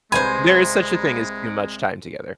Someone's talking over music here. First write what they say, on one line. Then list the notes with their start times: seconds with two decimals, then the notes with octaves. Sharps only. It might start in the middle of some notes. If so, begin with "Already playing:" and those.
There is such a thing as too much time together.
0.12 C2 G#3 B4 C5 G#5 B5